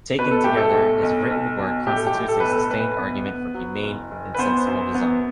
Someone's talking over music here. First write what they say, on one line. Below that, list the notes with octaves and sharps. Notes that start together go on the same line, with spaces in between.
Taken together, his written work constitutes a sustained argument for humane and sensible design.
B2 B4
A4
A3 G4
A4
B1
B1
B1
B2
A2 G4
A4
G4
A2
A4
B1 B4
A4
A2 B4
B3
B3
F#3
F#1
F#1
B4
B3 C5
F#2
B3